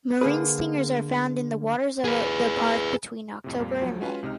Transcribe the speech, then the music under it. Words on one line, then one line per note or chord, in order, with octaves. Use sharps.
Marine stingers are found in the waters of the park between October and May.
D3 A#3 G#4 B4
G#4 B4
F2 A2 C3
F2 A#2 G3 A#3
D2 F3 F#3
G#3 C#4 F4 F#4 B4
C#2 C3 G#3 D#4 F6